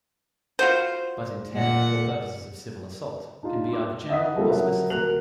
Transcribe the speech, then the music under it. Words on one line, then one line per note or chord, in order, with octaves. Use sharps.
But intent for purposes of civil assault can be either general or specific.
F4 F#4 C5
A#2 F#5
D4 D#4 F4
C6 D6
D#5 E5 F#5 D#6 B6
D3 F3 G3 A#3 C4 A4
F#3 C#4 A#4 E5 F#5
D#1 F#4 A#4 F#6 F7 F#7